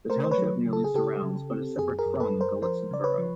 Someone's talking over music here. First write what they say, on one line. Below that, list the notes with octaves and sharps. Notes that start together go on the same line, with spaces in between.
The township nearly surrounds but is separate from Gallitzin borough.
A3 A#4 C5
C5
B4 C#5
F#3
C#3
A4
G#4
C#3 G4 A4
C#3
C4
F#2 G#4
G#4 A#4
F#2
A4 B4
F#2
A#4 C5
F3 A#4 C5
C#3 D5
B4 C#5
F3